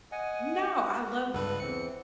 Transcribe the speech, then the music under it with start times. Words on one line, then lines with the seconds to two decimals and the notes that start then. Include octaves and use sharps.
No, I love
0.12 D#5 F#5 G#5
0.78 F#4
1.33 C#2 G2 A4 B4
1.60 E2 E3 C4 C#7